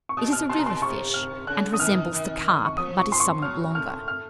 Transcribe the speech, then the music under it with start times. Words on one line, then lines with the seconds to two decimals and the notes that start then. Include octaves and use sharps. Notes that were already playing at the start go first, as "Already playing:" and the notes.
It is a river-fish, and resembles the carp, but is somewhat longer.
0.09 C#6
0.17 A#2 D#6
0.33 F6
0.49 A#2 C6
0.59 A#5
0.66 C6
0.82 C3 C#6
1.14 F6
1.47 C#3 F#6
1.73 D#6
1.80 D#3 F6
2.12 D#3
2.66 C#6
2.77 F3 D#6
2.99 C#6
3.12 C6
3.20 C#6
3.42 F#3 F6
3.75 A3 F6
4.08 F6